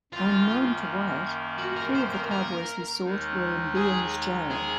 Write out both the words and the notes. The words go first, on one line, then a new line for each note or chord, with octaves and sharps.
Unknown to Wyatt, three of the Cowboys he sought were in Behan's jail.
F#2 D#3 A#3 F4
F#4
A#4
C5
A#4
A#4
D#2 D#3 G#3 D#4
G#4
G#4